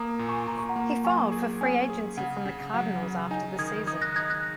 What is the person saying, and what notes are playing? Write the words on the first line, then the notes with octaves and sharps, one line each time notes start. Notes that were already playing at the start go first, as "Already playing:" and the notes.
He filed for free agency from the Cardinals after the season.
Already playing: A#3 A#5 D#6
A#2
G#5 C#6
A#2 A#5
C#6
F#5 A#5
A#3
F#3 G#5 C#6
G#4
C#4 G#5
G#4
C#3 F#5
C#3
F#3 F#5
C#3
D#4 G#5
D#3 D#6 G#6
D#4 D#6 G#6
F#6 A#6
D#4 D#6 G#6
F#6 A#6